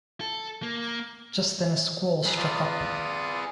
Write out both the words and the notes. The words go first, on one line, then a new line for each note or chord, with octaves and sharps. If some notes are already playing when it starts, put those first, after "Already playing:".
Just then a squall struck up.
A4
A#3
G#4 B4
F4 D5 D#6